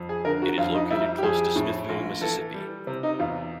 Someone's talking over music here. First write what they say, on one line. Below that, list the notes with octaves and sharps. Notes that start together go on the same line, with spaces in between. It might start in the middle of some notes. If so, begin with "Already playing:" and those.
It is located close to Smithville, Mississippi.
Already playing: F2
G#4
D3 A#4
F#4
F2 F4
D#4
G3 E4
G4
F2 G#4
A2
A#1
E3 A4
G3
C3
D#4
E2 F4